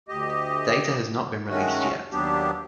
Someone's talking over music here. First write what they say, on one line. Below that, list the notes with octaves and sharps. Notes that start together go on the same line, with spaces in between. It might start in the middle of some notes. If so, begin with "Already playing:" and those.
Data has not been released yet.
D2 G4 D#5
D#3 G#3 A3 C#4 F#4
D#2 F#3 B3 D4 G4